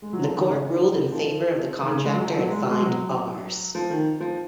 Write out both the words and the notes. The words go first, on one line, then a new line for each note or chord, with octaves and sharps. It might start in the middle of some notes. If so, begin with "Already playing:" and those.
The court ruled in favor of the contractor and fined Rs.
G#3
F#3
F3
D#3
C#3
D#3
D#3
F3
D#3
C#3
G#3
F#3
F3
F#3
G#3
G#3
F#3
F3
D#3
F3